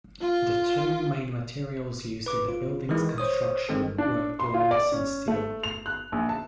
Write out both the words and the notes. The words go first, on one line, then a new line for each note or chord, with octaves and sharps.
The two main materials used in the building's construction were glass and steel.
F4
B4 D6
F4
D#3 E3 G#3 E4
C5 C#5 D#6
D#3 G#3 C4 A4
D4
C6
F4
D5
C#4
A3
F7
F#6
A#1
A5